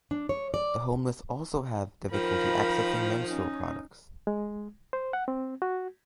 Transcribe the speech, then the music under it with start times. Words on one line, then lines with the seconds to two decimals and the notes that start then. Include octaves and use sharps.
The homeless also have difficulty accessing menstrual products.
0.11 D4
0.29 C#5
0.54 D5
2.13 D#3 F3 A#4 B5
3.25 C#4 D#4
4.27 G#3
4.93 C5
5.13 F#5
5.28 C4
5.62 F#4